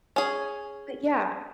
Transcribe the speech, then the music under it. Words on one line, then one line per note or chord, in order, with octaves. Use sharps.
but, yeah
C#4 G#4